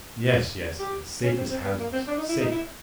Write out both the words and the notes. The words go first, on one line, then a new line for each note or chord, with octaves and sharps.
"Yes, yes, yes; safe as houses--safer."
G4
C#4
C4
C4
B3
A#3
C4
D4
D#4
E4
D#4
E4